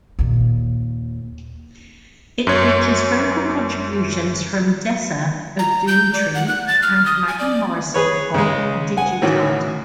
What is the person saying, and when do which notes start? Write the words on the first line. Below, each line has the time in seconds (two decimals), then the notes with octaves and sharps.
It features vocal contributions from Dessa of Doomtree and Maggie Morrison of Digitata.
0.19 D#2 A#2
2.47 F#2 C#5
5.59 A#5
5.88 G6
6.14 D5
6.35 F#5
6.48 F#6
6.68 A6
6.83 F6
7.06 D#6
7.28 G#5
7.39 D5
7.94 G#4 B4 C#5
8.34 C#3 G#3
8.97 F#5 G#5
9.22 A2 D#3 E3 C#4 F#4